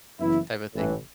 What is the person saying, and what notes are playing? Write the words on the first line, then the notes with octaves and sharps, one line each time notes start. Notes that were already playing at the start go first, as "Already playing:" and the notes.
type of thing.
F#1 F#2 E3 B3 E4
A1 A2 E3